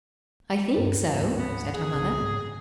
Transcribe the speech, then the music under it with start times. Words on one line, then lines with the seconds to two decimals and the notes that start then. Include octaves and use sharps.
"I think so," said her mother.
0.75 D2 G2
1.12 D1 G#2 A#3
1.36 B3
1.74 G#4
1.93 C2 C#3 C4
2.22 G#2